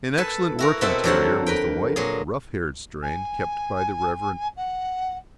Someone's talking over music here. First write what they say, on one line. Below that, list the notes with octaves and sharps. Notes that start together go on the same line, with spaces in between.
An excellent working terrier was the white, rough-haired strain kept by the Rev.
A4 B4 G#5 A5
E4 F#4 A#4
B2 C4 E4 A4 F#5 B5
F2 D3 F#3 F#4 A4 F#5
A#4 B4 G5
A#2 F#3 G#4
G#5
F#5